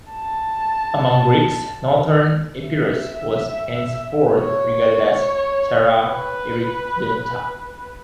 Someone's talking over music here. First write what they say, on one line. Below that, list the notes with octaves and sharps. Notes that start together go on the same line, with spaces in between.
Among Greeks, northern Epirus was henceforth regarded as "terra irredenta".
A5
E5
C#5
B4